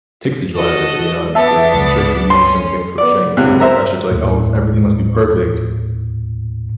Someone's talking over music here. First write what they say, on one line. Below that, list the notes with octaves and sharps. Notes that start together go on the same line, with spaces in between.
takes the joy out of it, you know what I'm saying? And I'm sure for you, same thing with crocheting. If you have the pressure to, like, always everything must be perfect,
F#4 A4 D#5
B3 D4 E5 A5 A6
C#2
C#4 C6
B3 D5
C#2 C3 F#6
C5 E5 A#5
D#2 A2